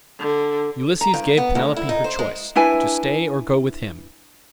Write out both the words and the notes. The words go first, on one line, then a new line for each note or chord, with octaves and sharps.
Ulysses gave Penelope her choice, to stay or go with him.
D3
A#5
G2
B3
D2
E4
D#4
C5
G#3
D4 E4 B4 G#5